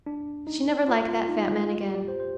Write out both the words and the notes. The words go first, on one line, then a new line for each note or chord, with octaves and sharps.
She never liked that fat man again.
D4
D#4
F4
F4
D#4
F4
G4
D5
C5
C5